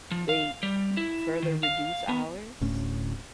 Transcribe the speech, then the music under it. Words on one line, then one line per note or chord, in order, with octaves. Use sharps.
they e further reduce hours?
F3
F5
G3
E4
D#3
F5
B3
D1 D2 A2 C#4